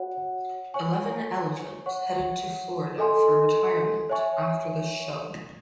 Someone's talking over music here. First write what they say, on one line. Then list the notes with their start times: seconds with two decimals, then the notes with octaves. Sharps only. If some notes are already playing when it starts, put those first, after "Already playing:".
Eleven elephants headed to Florida for retirement after the show.
Already playing: F#4 C#5 F#5
0.74 C#5 G#5 C#6
1.86 C#5 F#5 C#6
2.98 A4 D#5 G#5 C6
4.09 C#5 E5 G#5 C#6